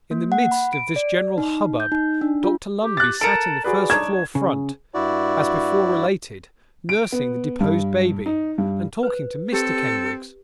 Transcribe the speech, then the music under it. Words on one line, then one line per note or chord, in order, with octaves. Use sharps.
In the midst of this general hubbub, Dr Lumbey sat in the first-floor front, as before related, nursing the deposed baby, and talking to Mr Kenwigs.
A#3
F#5
B5
D7
D5
D#4
G6
D#4
D4
F4
G4
F#6 A6
A4 A#4 A5 A6 C#7 D7
F#4 G#4 B4 D5
D4 D#4 C#5 G#6 E7
C#3
G2 E4 F#4 D5
D7
B3
G2
D#4
G2
B4 C5
C4 G4 A4